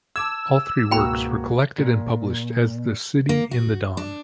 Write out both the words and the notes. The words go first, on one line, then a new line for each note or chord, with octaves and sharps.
All three works were collected and published as the "City in the Dawn".
A5 D6 E6 G#6
C#2 G#2 B2 A#3 F#4 G5 A#5 B5
A#2
A#3
F#4
D4